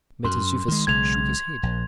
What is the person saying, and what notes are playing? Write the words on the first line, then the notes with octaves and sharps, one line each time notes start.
Mentezufis shook his head.
F#2 C6
D#3 G#3
B1 C#3 G#3 G#6 F7
A#1